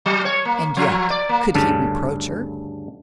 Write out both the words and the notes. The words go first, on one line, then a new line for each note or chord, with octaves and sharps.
And yet, could he reproach her?
F#3
C#5
A#3
F3
D5
A#3
D2 G2 C#3 A4 A5